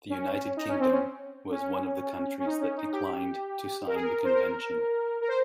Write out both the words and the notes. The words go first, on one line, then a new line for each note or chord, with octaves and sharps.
The United Kingdom was one of the countries that declined to sign the convention.
C#4
D#4
C#4
C4
C#4
C#4
C#4
D#4
C#4
D#4
G4
A#4
G#4
A#4
C5
A#4
A#4
C5